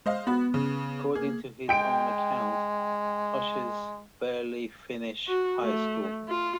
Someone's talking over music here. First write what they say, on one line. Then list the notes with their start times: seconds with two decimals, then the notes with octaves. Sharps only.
According to his own account, Tosches "barely finished high school".
0.06 G#3 C5 D#5 F5
0.27 B3 F#4 B5
0.54 C#3
1.15 A#3 G#4
1.69 G#3 G5 D7
5.27 F#4
5.61 A3
6.28 F4